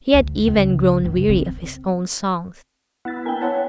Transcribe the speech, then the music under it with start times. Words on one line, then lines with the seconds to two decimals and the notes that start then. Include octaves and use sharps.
He had even grown weary of his own songs.
0.13 D2
0.48 C#2
1.04 F#2 C#3
1.29 C4
3.05 B3 E4 F#5 A6
3.26 A#3 D4 A#4 G5 G#5
3.42 C5 C#5 F#5 A5